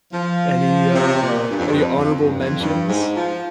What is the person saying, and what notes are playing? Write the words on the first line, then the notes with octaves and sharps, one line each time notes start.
Any, uh, any honorable mentions?
F3
C3
A#2
G2
F2
G2
F2
F2
G2
F2
G2
G#2
F3